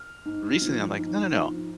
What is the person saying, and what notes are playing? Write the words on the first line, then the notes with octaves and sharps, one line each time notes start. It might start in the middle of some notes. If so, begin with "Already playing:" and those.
recently, I'm like, "No, no, no,
Already playing: F6
G#2
F3
G#2
F3